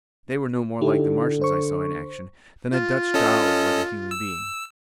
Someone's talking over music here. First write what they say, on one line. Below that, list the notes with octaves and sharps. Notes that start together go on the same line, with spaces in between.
They were no more like the Martians I saw in action than a Dutch doll is like a human being.
D3 D#4 E4 G4
C5 C#6
F4
C#4 A4 D#5
E6